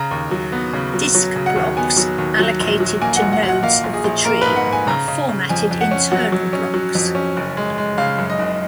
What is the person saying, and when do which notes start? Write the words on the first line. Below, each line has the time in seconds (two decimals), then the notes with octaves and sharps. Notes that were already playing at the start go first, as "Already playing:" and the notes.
Disk blocks allocated to nodes of the tree are "formatted internal blocks".
Already playing: C#3 A#5
0.11 D#2
0.31 F#3
0.52 B3
0.73 C#3
0.94 F#3
1.15 F#3
1.36 C#3
1.46 F#5
1.56 D#2
1.77 B3 G#5
1.97 F#3
2.18 D#2
2.39 F#3
2.60 A#1
2.80 F#3
3.01 A#3 G#5
3.16 F#5
3.22 A#1
3.33 F#5
3.43 A#1
3.48 F#5
3.63 A#3 F5
3.84 A#1
3.94 G#4
4.04 A#1
4.25 A#3 A#4
4.42 B4
4.46 G#2
4.56 F#5
4.67 G#2
4.73 G#5
4.87 C#3 A#5
5.08 C#3
5.29 C#3
5.49 F2 G#5
5.71 F2
5.81 F#5
5.91 C#4
6.11 F#3 F#5
6.32 F#3
6.53 C#4
6.74 F#3
6.95 F2
7.15 C#4
7.37 F#1
7.57 G#3
7.78 G#3
7.98 C#3 F5
8.18 F#2
8.30 D#5
8.39 F#1